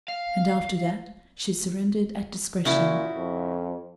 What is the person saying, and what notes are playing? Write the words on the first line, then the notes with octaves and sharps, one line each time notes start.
And after that she surrendered at discretion.
F5
A#2 C#3 E4 F#4
F2